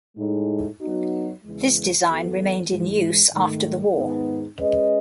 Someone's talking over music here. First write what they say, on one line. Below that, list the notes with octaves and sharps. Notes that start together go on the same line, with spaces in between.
This design remained in use after the war.
A2 G#3 D#4
F#3 B3 D#4 F#4
E2 C#3 E3 G#3
E3 B3 F#4 A4
G#2 E3 G#3
G#2 D#3 A3
G#2 D#3 G#3 B3 D#4
G#3 C#4 G#4 B4 D#5